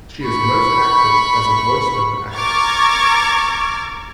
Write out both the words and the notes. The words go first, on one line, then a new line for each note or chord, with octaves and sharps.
She is most active as a voice-over actress.
B5 C#6
A#5 C#6 D6 F6 G#6 A6